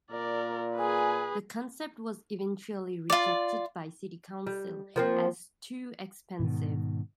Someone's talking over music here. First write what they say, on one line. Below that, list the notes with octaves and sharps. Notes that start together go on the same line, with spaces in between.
The concept was eventually rejected by city council as too expensive.
A#2 A#4 D5
G#4 B4 G#5
F4 D5
G3
F3 A#3 C4
G#2 B2 D#3